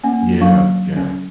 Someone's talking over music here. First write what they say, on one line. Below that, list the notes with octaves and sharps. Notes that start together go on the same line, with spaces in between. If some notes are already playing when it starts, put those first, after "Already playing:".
Yeah. Yeah.
A#3 C#4 G#5
F#3 C#4 D4 F5 C#6
C#4